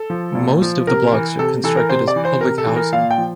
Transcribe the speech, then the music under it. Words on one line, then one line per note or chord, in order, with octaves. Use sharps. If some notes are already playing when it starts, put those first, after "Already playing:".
Most of the blocks are constructed as public housing.
Already playing: A4
F3
A#2
F3
C3 A#4
E3
C3 A4
E3 A4
A#4
C3 C5
D5
E3
C5
C3 A#4
A4
E3
A#4
A#2 F5
G5
F3